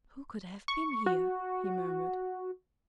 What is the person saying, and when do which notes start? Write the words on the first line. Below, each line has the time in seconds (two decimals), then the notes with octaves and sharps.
"Who could have been here?" he murmured.
0.68 C#6
1.06 F#4